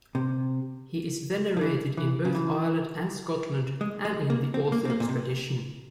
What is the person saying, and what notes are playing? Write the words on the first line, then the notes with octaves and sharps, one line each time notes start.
He is venerated in both Ireland and Scotland and in the Orthodox tradition.
C3
F3
E3
E3
C#3
E3
G#3
G#3
A#3
C4
A#3
C4
A#3
A#2
C3